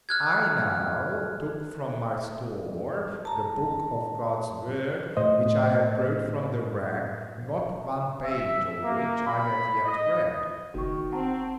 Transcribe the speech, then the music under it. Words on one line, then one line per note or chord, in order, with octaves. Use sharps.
I now took from my store the Book of God's Word, which I had brought from the wreck, not one page, of which I had yet read.
F6 F#6 G#6
A5 A#5
A2 C5 D#5
E5
A#3
B5
D#5
F#1 D#3 F#4 C#6
C4 F#5 A5 A#5